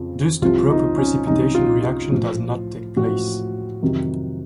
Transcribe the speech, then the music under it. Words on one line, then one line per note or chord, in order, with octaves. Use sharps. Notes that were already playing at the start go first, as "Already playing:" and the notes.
Thus the proper precipitation reaction does not take place.
Already playing: F2 C#3 F3
C2 C3 F3 F4
D#4
C#4
C2 C3 F3 D#4
F4
F4
A2 F3
A2 F3 F#4
F2 C3 D#3 F#3